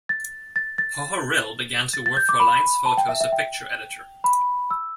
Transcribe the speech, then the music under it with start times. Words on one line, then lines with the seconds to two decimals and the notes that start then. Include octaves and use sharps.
Pohorylle began to work for Alliance Photo as a picture editor.
0.09 A6
0.56 A6
0.78 A6
1.93 A6
2.06 A6
2.17 G6
2.29 D6
2.40 B5
2.86 A5
2.97 G5
3.09 E5
3.21 E5
3.32 G5
4.24 B5
4.71 E6